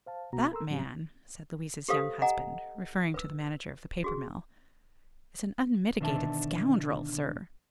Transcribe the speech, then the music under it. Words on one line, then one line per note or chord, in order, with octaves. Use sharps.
"That man," said Louise's young husband, referring to the manager of the paper mill, "is an unmitigated scoundrel, sir."
C5 F5 A5
C2 B2 B3 F#4 A#5
A4 A#4 A#5 C6 E6
A2 F3 F#3 C4 C#4 G4
G4 A4 B4 C5 F5 D#6
D#5 F#5 G#5 A#5
B4 E6
F#4 G#4
B2 D3 D#3 D4 E5 A5